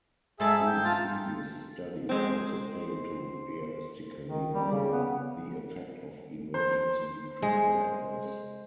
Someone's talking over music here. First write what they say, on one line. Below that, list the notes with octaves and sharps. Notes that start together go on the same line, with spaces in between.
These previous studies also failed to realistically model the effect of emergency preparedness.
G#2 G#4 A4 E5 A5
G5
F4 A5
G#3 C4 C5
D#3
G3
C#3
B3
C5
G#3